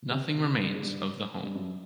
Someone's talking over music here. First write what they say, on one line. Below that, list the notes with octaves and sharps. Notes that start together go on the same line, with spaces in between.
Nothing remains of the home.
C3
C3
G2
G#2
G2
G2
F#2